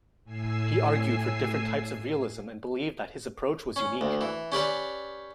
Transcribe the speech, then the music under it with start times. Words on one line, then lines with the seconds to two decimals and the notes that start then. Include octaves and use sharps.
He argued for different types of realism and believed that his approach was unique.
0.24 A2 G#5 E6 C7
3.76 C#4
4.01 D2
4.21 E3
4.52 C#4 G4 B4 D5